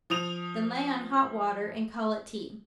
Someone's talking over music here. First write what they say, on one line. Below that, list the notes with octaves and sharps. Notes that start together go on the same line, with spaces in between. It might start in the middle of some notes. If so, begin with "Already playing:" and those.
Then lay on hot water, and call it tea.
F3 D#6 F7